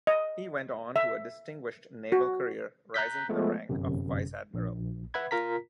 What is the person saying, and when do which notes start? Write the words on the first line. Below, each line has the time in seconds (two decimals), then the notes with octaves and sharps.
He went on to a distinguished naval career, rising to the rank of vice-admiral.
0.07 D#5
0.96 E5
2.12 F#4
2.94 A#5 F#6 G6 B6
3.29 F3 G#3 A3 B3
3.69 G1 F#2 C3
4.54 A#1
5.14 B4 E5 F#5 B5 G#6
5.31 F4 A#4 A#5 B6